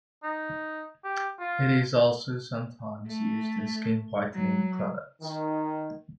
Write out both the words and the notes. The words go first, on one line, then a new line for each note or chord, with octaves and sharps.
It is also sometimes used in skin whitening products.
D#4
G4
F4
A3
F#3
D#3